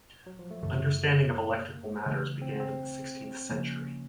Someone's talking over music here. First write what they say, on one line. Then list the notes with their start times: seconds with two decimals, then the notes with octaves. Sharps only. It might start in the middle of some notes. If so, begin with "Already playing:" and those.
Understanding of electrical matters began in the sixteenth century.
0.26 F#3
0.39 F3
0.51 A3
0.63 F#2 C#3 E3 G3 A3
1.34 A#3
2.06 C#3 E3 A3
2.42 C4
2.60 C4
3.49 C#3 F3 A#3 C#4